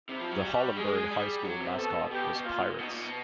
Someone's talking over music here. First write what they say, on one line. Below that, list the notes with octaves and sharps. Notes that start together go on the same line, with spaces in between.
The Hollenberg High School mascot was Pirates.
C3 E4
F3
F#3
G3 F#4
G#3 G#4
G3
F#3
C3
B2 A4
B2 G4
B2
A#2 F4
B2 D#4
A#2
B2